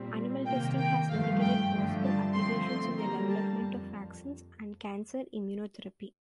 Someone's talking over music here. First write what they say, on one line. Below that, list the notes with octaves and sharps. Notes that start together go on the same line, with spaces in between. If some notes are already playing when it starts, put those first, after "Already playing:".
Animal testing has indicated possible applications in the development of vaccines and cancer immunotherapy.
Already playing: A#2 G3 C4
C3 D#3 A#3 G5
G5
G2 F3 A3 F5
G5
G2 D3 F3 A3
A5
D3 F3 A3 C4 C6
C6
D3 G3 A#3 A#5
A5
F2